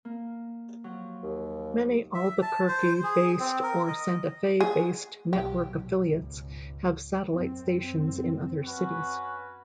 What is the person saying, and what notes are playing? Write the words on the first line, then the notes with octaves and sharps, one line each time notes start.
Many Albuquerque-based or Santa Fe-based network affiliates have satellite stations in other cities.
A#3
F3 F#3
D#2
E5
A5
C5
G#4
C4
A#4
D#5
G#4
B1 A#2 F#3 G4
C#2 G#2 B2
F#2 C4
C#4 F#4 B4